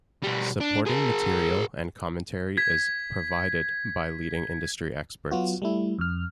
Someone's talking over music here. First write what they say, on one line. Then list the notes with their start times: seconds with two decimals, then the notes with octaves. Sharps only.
Supporting material and commentary is "provided" by leading industry experts.
0.23 B2 G3
0.60 D4
0.86 G#4 A#4
2.57 G#6 B6
5.31 F#3 B3 F4 F#4
5.62 G3 A3 E4
5.98 F2 F6